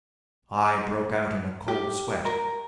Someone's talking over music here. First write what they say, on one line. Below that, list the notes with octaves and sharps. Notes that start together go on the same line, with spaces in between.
I broke out in a cold sweat.
G4
A#4